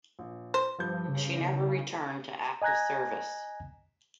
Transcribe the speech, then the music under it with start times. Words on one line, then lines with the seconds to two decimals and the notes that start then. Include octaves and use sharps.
She never returned to active service.
0.19 A#1
0.54 C5
0.79 G2 F3 G3 G6
1.08 C#3
1.33 B2 D#3 E3
2.62 D#5 G#5 A#5 F#6 G#6 A#6